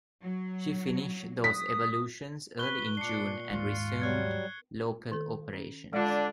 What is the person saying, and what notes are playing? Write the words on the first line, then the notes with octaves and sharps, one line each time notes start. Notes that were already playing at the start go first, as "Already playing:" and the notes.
She finished those evolutions early in June and resumed local operations.
F#3
D#6 B6
B4 C#6 F#6 G7
A#2 D4 C7 C#7
D#2 G#2 F4
F#3 G3 F#6 G#6 C#7
D#3 A4
C#4
D3 G#3 D4 F4